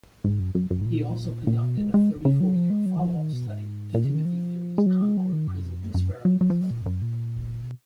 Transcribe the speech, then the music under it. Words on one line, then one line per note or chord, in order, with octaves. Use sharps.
He also conducted a thirty-four year follow-up study to Timothy Leary's Concord Prison Experiment.
G#2
F#2
F#2
F#2
G#2
A#2
A#2
B2
G#3
G#3
C#3
F#3
F3
G#3
F#3
D#3
F3
D#3
B2
G#2
A#2
C#3
D#3
F3
G#3
F#3
G#3
F#3
D#3
F#2
F2
F#2
F#2
F#3
F#3
F3
F#3
A#2
F2
F#2
A#2
B2